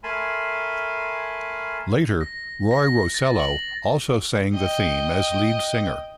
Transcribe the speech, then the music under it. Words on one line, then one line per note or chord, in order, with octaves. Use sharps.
Later, Roy Rosello also sang the theme as lead singer.
A3 A#4 G#5 A5 B5 C6
A#6
A#6
A6
F#7
D#5 G5